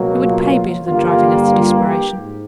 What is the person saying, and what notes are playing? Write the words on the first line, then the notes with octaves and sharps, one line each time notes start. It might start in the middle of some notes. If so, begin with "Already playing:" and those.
It would pay better than driving us to desperation.
Already playing: C#2 B2 F#3 A#3
F4
G2 D3 G3 A#3 F4
F4
G4
G#2